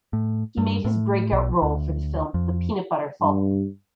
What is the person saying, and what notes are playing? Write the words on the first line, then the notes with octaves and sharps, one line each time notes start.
He made his breakout role for the film "The Peanut Butter Falcon".
A2
G2
A2
B1
D2
F2
G2